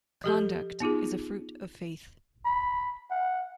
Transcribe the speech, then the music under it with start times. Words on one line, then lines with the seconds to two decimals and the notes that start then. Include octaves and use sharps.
Conduct is a fruit of faith.
0.24 F3 G4 A4
0.80 B3 D#4 F4 G#4
2.45 B5
3.10 F#5